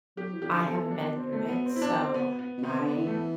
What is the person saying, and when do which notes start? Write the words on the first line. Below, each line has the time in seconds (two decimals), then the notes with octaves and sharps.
I haven't been through it, so I
0.17 F#3 G4
0.33 E3
0.42 G4
0.50 D3
0.67 B2 A4
0.91 D4
1.16 C4
1.32 A3
1.48 B3
1.65 C4
1.75 E4
1.82 D4
1.97 C4
2.14 B3
2.39 B3
2.58 B2
2.63 C3 B3
2.79 D3
2.88 B3
2.97 E3
3.07 A3
3.13 B3